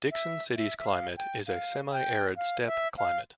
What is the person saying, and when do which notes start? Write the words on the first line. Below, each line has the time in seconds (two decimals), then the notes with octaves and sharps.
Dixon City's climate is a semi arid steppe climate.
0.11 E5
0.57 E5
0.79 E5
0.86 F5
1.17 G5
1.47 F5
1.92 G5
2.37 F5
2.67 E5
2.98 F5